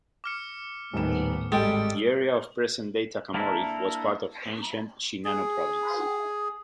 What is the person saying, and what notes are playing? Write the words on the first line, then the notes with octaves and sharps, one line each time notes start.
The area of present-day Takamori was part of ancient Shinano Province.
D6 F6 C#7
D#1 A2 D#3 B3 E7
G#1 G3 G#3 G4 A4 G5 A6 D7
A#3 D4 E4 A4 A#4
G#4